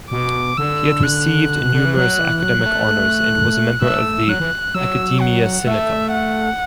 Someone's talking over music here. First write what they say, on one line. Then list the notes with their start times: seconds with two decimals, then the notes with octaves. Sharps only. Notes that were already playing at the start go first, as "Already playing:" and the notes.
He had received numerous academic honors and was a member of the Academia Sinica.
0.11 B2 D6
0.57 D3 E6
1.04 F#6
1.61 B2
1.73 D3
1.85 E3
1.97 F#3 F#6
2.19 E3
2.43 F#3 F#6
2.59 F#3
2.66 A3
3.82 A3 E6
4.28 F#3 F#6
4.40 E3
4.74 F#3 E6
5.21 F#5
5.67 A3 E5
6.13 F#5